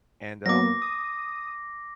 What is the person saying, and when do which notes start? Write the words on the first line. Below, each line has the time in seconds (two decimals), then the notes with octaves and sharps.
and, um
0.46 F#3 A#3 B3 D6 A#6
0.82 D#6